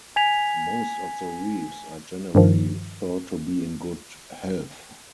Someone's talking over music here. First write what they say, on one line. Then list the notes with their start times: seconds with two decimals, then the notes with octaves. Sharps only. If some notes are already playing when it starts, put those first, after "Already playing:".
Most of the reefs are generally thought to be in good health.
0.16 G#5 G#6 B6 F7
2.35 G2 D#3 F3